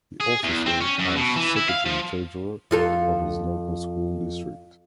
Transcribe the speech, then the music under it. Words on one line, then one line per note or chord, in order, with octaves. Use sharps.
He also served as Secretary-Treasurer of his local school district.
G#4
E2
C4
C#4
F#2
B2
E3
E4
F5
F3
F2 F4 A4